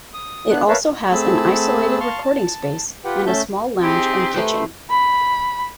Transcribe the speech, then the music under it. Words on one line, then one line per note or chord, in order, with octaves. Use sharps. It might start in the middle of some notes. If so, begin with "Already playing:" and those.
It also has an isolated recording space and a small lounge and kitchen.
D#6
B3 D4 F#6
A#4 B4 C#5 E5 F5 A5
A3 C4 G#4 A5 B5 E6
F5 A5 C6 C#6 F6
A5
F4 G4 B4 F#5 G5
A3 C#4 E5 A5 G6
C4 D#4 G4 G#4
A3 B4 C5
B5